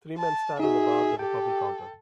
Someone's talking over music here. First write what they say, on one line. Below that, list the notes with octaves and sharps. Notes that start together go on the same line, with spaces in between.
Three men stand in a bar with a purple counter.
A5
D#4 F#4 G#4 E5
G4 A4 G5